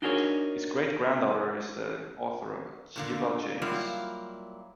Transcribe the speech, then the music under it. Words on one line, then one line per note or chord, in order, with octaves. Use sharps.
His great-granddaughter is the author Cheewa James.
D4 D#4 F#4 G#4 A#4 C#5
A#2 D3 A#3
F#3 G3 A#3 E4 F4 F5